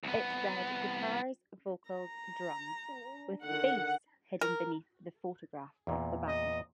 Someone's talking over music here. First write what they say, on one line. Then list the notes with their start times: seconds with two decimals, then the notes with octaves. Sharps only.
It read "guitars, vocals, drums", with "bass" hidden beneath the photograph of the band.
0.03 C2 B3
1.90 A#5
3.44 D3 D#3 F#5
4.41 A#4
5.87 E2 A#2
6.28 D#5